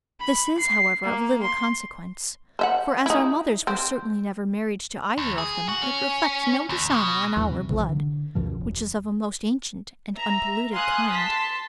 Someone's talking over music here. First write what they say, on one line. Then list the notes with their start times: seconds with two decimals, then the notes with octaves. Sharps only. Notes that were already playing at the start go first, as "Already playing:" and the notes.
This is however of little consequence for as our Mothers were certainly never married to either of them it reflects no Dishonour on our Blood, which is of a most ancient and unpolluted kind.
0.20 B5
0.58 C7
1.03 A#3
1.43 C6
2.59 C5 E5 F#5
3.06 D#4 E4
3.67 C4
5.18 D#2
5.38 G#4
5.69 F#4
5.82 C#4
6.69 D#2
6.90 B2
7.37 E2 G2
7.51 C3
7.69 F1 A#1 C3 E3
7.89 D3
8.35 C#2 F#2 B2 F3
8.61 E1
10.16 E5 A#5
10.72 F5 G#5 C6 D#6 F#6
11.12 A5 C6 B6